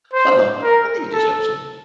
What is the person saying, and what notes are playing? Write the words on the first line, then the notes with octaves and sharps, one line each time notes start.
So I dunno. I think it just helps 'em.
C5
A#4
A4